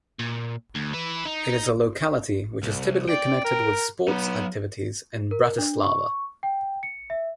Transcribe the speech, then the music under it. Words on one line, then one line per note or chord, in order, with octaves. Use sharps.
It is a locality, which is typically connected with sports activities in Bratislava.
A#2
D2
E4 B4
D#4
C2
D5 G5
A#4
F#3 B3 D#4
A#4
D4
C#6
G5
C#7
E5